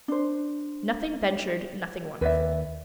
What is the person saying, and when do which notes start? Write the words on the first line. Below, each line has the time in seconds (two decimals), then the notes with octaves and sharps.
Nothing ventured nothing wonderful.
0.08 D4 C5
2.21 D#2 B4 D5 E5